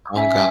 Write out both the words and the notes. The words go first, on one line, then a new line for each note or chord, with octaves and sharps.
Oh gosh.
C#4 E5 G#5